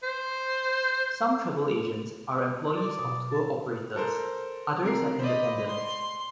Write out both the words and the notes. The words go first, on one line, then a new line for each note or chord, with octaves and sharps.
Some travel agents are employees of tour operators, others are independent.
C5
D5
B2
A5
A4 A#4 C5
C3 A#4 C7
C5 D5 D#5 B5
C6